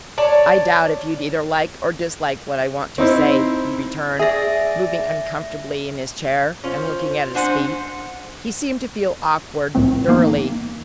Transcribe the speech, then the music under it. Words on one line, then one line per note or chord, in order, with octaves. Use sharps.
"I doubt if you'd either like or dislike what I want to say," he returned, moving uncomfortably in his chair and looking at his feet--he seemed to feel awkward, thoroughly.
C#5 D5 A5
C4 D#4 E4 C5
G#4 D5 E5 A#6
C#4 F4 C5
D4 C5 F#5 G#5
C#2 A2 F#3 A3 C4
E3 A#3 B3 D#4